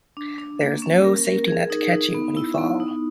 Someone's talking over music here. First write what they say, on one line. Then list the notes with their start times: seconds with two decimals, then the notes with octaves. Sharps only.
There is no safety net to catch you when you fall.
0.17 D4
0.38 D4
0.61 A#3
0.82 C#4
1.04 A#4
1.26 A#4
1.48 G#4
1.70 D#4
1.92 D#4
2.15 B3
2.37 E4
2.58 B3
2.80 D#4